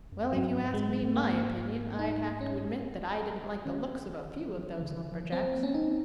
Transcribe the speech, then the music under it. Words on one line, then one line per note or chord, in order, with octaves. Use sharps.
"Well, if you asked me my opinion, I'd have to admit that I didn't like the looks of a few of those lumberjacks."
F#2
G#2 F#3
G#3
A#3
D#4
C#4
D#3 C#4
F#3
F3
C#3
D#3
F3
F#3 C4
A#3
C#4
C4 D#4